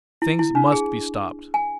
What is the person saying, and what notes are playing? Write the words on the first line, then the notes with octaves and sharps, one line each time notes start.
Things must be stopped.
E4
E4
D4
G#4
G#5